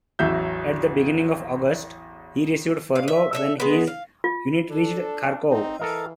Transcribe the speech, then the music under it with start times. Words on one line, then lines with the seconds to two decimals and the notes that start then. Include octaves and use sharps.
At the beginning of August, he received furlough when his unit reached Kharkov.
0.19 A1 E2 F#3 E5 G6
2.95 F5
3.08 E5
3.33 A4 D#5 E5
3.60 G#3 B3
3.87 F5
4.24 F4
4.70 D4 A4
5.50 C4 D#4
5.80 E3 A4 A#4 D#5 F5